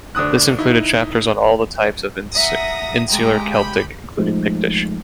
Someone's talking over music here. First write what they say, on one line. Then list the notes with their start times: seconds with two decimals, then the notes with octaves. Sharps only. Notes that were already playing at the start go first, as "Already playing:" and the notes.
This included chapters on all the types of Insular Celtic, including Pictish.
0.15 D2 D4 D#6 F#6
0.59 D#4 E4
2.35 E5 F#5 A#5 D#6 A#6
3.09 G#3 G4 F5 G5 A#5
3.51 B5 G6
4.17 F3 G#3 A3 D#4